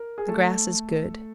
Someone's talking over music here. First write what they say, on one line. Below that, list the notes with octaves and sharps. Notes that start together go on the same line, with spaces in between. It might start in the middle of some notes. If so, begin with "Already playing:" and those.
The grass is good.
Already playing: A#4
G#4
A3 A4